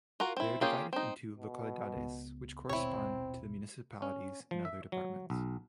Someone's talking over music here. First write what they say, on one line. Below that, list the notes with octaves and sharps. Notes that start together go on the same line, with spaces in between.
They are divided into "localidades", which correspond to the municipalities in other departments.
F4 F#4 A#4
C4 E4
A#3 C#4 F4 G4 G#4
C4 D#4
B2
C#2 B3
D#1 G#1 B2 C4 E4 C#5
C#4
F3
E5
F#3
B1